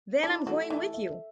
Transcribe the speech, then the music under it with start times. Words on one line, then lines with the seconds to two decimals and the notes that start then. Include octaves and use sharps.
Then I'm going with you.
0.23 D4 E4
0.46 F#3 A3
0.70 E3 A4
0.94 E5